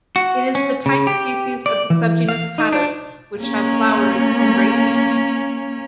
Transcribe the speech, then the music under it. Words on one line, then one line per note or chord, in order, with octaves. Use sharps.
It is the type species of the subgenus "Padus", which have flowers in racemes.
F#4
C#4
C#3
G4
D5
E3
F5
D#4
D4
A#3 C#4